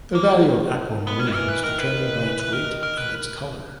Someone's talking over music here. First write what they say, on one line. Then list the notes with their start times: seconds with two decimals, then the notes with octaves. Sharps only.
The value of aquamarine is determined by its weight and its color.
0.15 C#3 A#3
0.45 D#3
1.07 B3
1.19 C#4
1.34 E3 A#4
1.49 B4
1.64 D#3 A#4
1.78 B4
2.23 E3
2.40 B4
2.53 D#3 A#4
2.83 A#4
2.97 B4